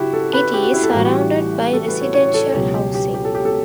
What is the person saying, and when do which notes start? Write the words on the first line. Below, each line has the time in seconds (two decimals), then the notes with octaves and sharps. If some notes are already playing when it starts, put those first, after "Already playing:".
It is surrounded by residential housing.
Already playing: F#1 F#2 E4 F#4 G4
0.13 A4
0.33 B4
0.54 G4
0.63 F#4
0.73 E4
0.83 A4
0.91 G4
0.93 A1 A2 E3 G3 F#4
1.05 G4
1.73 A4
1.87 B4
2.01 C#5
2.14 C#5
2.34 A4
2.54 C#2 B2 F#3 G4
2.74 G4
2.94 G4
3.14 G4
3.25 A4
3.35 G4
3.45 A4